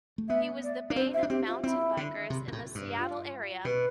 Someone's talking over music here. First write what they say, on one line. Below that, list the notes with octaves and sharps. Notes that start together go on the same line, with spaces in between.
He was the bane of mountain bikers in the Seattle area.
A3
B3 E5
D5
D4
C4 C5
E5
D4
C4 G4
F4
C4 E4
D3
C3
B2
A2
G2
F4
B2 B4